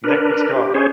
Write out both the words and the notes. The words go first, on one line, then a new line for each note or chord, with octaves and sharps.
next call.
D4 A#4 B4
G4
C#4 G#4 C5 C#5